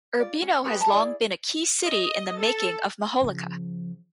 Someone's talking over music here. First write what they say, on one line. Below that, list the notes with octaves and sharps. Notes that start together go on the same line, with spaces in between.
Urbino has long been a key city in the making of majolica.
F4 D5
C#4
G4 G#4 B4 C#5
A5 A#5
E4 G#4 D5
D#5
A4
C#3 F3